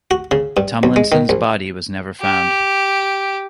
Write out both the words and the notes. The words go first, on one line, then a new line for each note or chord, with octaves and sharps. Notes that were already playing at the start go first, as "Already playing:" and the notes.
Tumlinson's body was never found.
F#4
C#3
G2
B1
G#3
D#3
A#1
G4